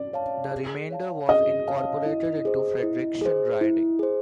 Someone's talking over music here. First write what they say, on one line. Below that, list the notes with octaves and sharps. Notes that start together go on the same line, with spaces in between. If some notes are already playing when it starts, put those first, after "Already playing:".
The remainder was incorporated into "Fredericton" riding.
Already playing: D5
C#5 F5 A5
G#4
C#5 F5 A5
G#4 D#5
C#5 F5 A5
E4
G#4 C5
E4
G#4 C5
E4
G#4 C5